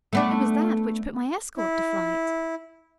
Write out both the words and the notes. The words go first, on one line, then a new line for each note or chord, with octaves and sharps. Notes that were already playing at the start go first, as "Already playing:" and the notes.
"It was that which put my escort to flight."
A3 B3 D4
E4